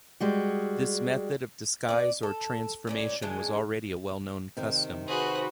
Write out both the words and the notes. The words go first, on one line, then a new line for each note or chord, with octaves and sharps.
This method of disguise or transformation was already a well-known custom.
G3 G#3 F#4
B3 D5
A4
A#2 C#4 D5
C#3 E3 G#3 D4
C3 D#3
F#4 G#4 B4 C5 F#6